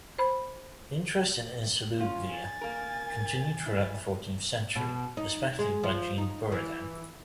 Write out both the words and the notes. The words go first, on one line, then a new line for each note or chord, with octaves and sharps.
Interest in "insolubilia" continued throughout the fourteenth century, especially by Jean Buridan.
C5 B5
C#4 F4
G#5 A6
A#3 A#4
E4
B2
D#4
G#3
F3
D#4
E3